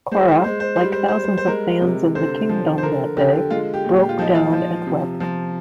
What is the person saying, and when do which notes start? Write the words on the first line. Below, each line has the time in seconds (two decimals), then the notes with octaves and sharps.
Cora, like thousands of fans in the Kingdome that day, broke down and wept.
0.12 G#3 C5
0.28 C5
0.44 G#3 C5
0.60 C5
0.76 C5
0.80 G3
0.92 C5
1.08 C5
1.13 G3
1.24 C5
1.38 C5
1.47 G#3 A#4
1.82 C3
2.15 D3 C5
2.49 F3
2.78 C5
2.83 D3 A#4
3.17 D3 G4
3.50 G#3 F4
3.74 G4
3.85 A#2
3.96 G4
4.09 F4
4.19 F3 D#4
4.35 F4
4.52 F3
4.87 C3
5.20 F3